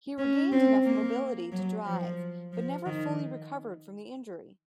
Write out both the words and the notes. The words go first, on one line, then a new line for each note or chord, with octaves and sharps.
He regained enough mobility to drive but never fully recovered from the injury.
C#4
C4
A#3
F#3
F3
F3
D#3